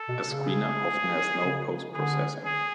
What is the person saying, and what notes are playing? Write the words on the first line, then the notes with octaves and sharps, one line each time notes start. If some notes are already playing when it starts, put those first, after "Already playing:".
A screener often has no post-processing.
Already playing: A4
B2
C#3
G#4
C#3
D3 G#4
G#4